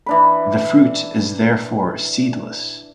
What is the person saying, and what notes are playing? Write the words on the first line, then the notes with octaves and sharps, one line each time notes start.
The fruit is therefore seedless.
E3 D4 B5